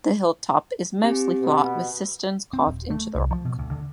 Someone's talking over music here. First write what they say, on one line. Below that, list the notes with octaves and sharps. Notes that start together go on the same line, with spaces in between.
The hilltop is mostly flat, with cisterns carved into the rock.
C4 G4 G#5
B2
C4
D#1
A3
C2
F3
B2
D2
D3